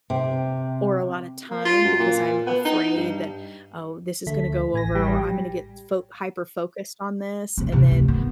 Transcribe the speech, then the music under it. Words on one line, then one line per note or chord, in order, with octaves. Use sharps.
or a lotta time because I'm afraid that, "Oh, this is gonna go over or I'm gonna get fo hyperfocused on this, and then
C3
A#3
F4
F#2
A#2
B3
D#4
G2
D2 A3 B6
A1 G#5 A#6
G3 G4
B2 C4
C3 C4
D2
D#3 B3